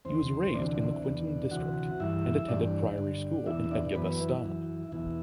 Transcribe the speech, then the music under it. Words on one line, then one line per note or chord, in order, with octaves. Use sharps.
He was raised in the Quinton district and attended Priory School in Edgbaston.
E2 D3 C4 C5
D2 C3 E3 D4 D5
E2 B2
D2 C3 E3 F#4 F#5
G2 E3 E4 E5
G2 E3 D4 D5
G2 D3
E2 B2 E4 E5
D4 D5
F#2 E3 B3 B4
E4
F#2 E3
E2 B2 E4